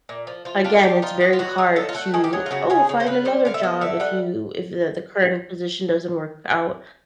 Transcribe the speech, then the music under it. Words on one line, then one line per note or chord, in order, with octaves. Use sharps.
again, it's very hard to, "Oh, find another job if you if the the current position doesn't work out."
A#2
F3
F3 F4
D4 F4
A#3 G4
D#4 F4
B3 F#4
F4
F#3 F#4
D#4 G#4
F#3 A4
F4
A3 F#4
D#3 G#4
G4
F#3 G#4
F4
C#3 F#4
C#3 G#4
C#3
C5
C#3 B4
G3 C5
D3 F5
E5
B3 D#5
D3 E5
G3 F#5